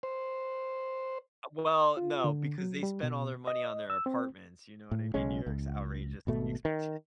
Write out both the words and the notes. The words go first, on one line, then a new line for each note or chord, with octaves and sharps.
Uh, well, no, because they spend all their money on their apartments, you know what I mean? New York's outrageous, the expression.
C5
F4
D3
F#3
G3
B2
D#5
E6
C4
A2
B1 C#3 G#3 C#4
C#2
G#1 B2 A3
D#3